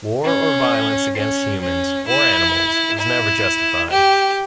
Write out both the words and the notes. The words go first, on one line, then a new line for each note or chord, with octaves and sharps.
War or violence against humans or animals is never justified.
C#4
C#4
C#4
E4
E4
G4